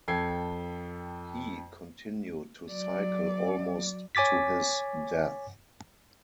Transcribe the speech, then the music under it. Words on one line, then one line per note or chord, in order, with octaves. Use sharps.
He continued to cycle almost to his death.
F2 A4 G5 G#6 C7
F#3 D5
C#5 G#5 D6 A6 B6